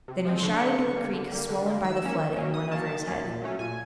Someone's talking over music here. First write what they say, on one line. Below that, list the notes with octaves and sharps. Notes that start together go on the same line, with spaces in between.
Then he shot into a creek, swollen by the flood, and went over his head.
C3
F3 G#3 C4
C6
D3 C#6
G3 A#3
D3
G3 A#3
D3
G3 A#3
D3
G3 A#3
D#3 E6
F#3 A#3 C#4
D#3
F#3 A#3 C#4
D#3 D#6
F#3 A#3 C#4 A5
D#3
F#3 A#3 C#4
A#2
F#3 A3 C#4
A#2 G#5